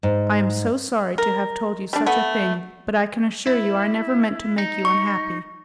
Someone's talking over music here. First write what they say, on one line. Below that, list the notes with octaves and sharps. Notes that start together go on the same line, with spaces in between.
I am so sorry to have told you such a thing, but I can assure you I never meant to make you unhappy.
G#2
A#4
G3 D4
A3 B3
E4
D#4
C#6